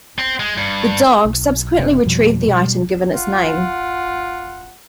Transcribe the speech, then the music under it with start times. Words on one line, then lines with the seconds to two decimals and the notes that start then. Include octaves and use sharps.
The dog subsequently retrieved the item given its name.
0.18 C4
0.40 G#3
0.58 G2
1.25 B1
1.78 F#1 C3
2.05 F2 B2 F3 G3
2.47 B2 G3
3.14 F4 F#5